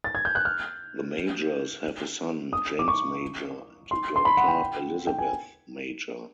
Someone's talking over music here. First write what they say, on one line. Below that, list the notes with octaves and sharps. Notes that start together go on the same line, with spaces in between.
The Majors have a son, James Major, and a daughter, Elizabeth Major.
A6
G#6
G6
F#6
F6
D#6
D6
C#6
C6
C6
B5
F#5
G5
G5
G#5